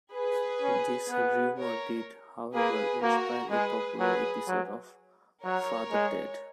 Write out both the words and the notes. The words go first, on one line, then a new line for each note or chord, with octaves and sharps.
This rumour did, however inspire a popular episode of "Father Ted".
G#4 B4
C#4
B3
A#4 C#5
A#3 G#4 B4
A#3 F#4 A#4
G#3 G#4 B4
F#3 G#4 B4
F#3
F#3 A#4 C#5
G#3